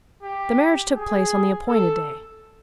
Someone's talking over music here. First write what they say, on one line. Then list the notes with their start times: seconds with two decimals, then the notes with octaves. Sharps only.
The marriage took place on the appointed day.
0.23 G4
0.95 G#4
1.68 A4